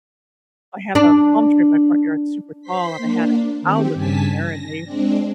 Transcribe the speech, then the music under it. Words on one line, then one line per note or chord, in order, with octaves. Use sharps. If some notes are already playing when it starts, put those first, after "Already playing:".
I have a palm tree in my front yard, it's super tall, and I had an owl living in there, and they
D4
C5 C6 B6
A#3 D4
D#3 C4 G4
G2 C#3 G#5 A5 B6
A#6
G#3 C4 D4